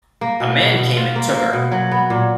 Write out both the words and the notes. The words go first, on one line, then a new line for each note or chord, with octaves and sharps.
A man came and took her.
A#3
B2
B2
B2
F4
A#3
A#3
B2
F#3
B3
A#2